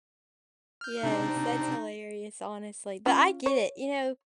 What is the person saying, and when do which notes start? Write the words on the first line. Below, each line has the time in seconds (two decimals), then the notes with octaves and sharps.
Yes, that's hilarious, honestly, but I get it. You know,
0.81 F6 G6
1.03 C3 C4 D4 D#4
3.06 C#4 F4
3.46 C#5